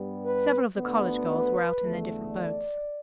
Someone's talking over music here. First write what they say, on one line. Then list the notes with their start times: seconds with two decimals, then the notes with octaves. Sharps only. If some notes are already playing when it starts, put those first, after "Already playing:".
Several of the college girls were out in their different boats.
Already playing: G2 G3 B3
0.24 B4
0.76 D2 D3 B3
1.28 B4
1.79 E2 D3 A3
2.32 D5